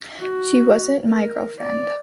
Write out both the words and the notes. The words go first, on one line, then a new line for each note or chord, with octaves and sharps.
She wasn't my girlfriend.
F#4
A#4
D5